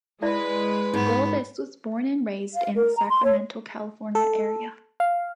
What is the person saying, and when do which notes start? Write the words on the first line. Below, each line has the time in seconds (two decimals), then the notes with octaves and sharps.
Gulbis was born and raised in the Sacramento, California area.
0.22 G#3 E4 B4 D5 E5
0.94 G#2 B3
2.54 F5
2.76 A#4
2.96 A#5
3.10 C6
3.24 C#5
4.15 A4
5.00 F5